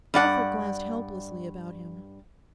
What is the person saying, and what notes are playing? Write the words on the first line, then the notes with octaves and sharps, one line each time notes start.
Lawford glanced helplessly about him.
G2 D5 F#5